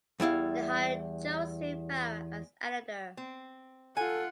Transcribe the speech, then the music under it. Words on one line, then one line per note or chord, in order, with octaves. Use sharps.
They hired Joseph Farah as editor.
E2 G3 E4 F5
C4
F4 A4 F#5 G#5